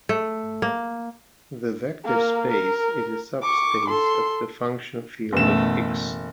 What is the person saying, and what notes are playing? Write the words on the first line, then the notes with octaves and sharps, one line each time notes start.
The vector space is a subspace of the function field of X.
A3
A#3
A#3 A#4
A#4
C#6 D6
A4 C6
F#1 B2 E3 A3 E7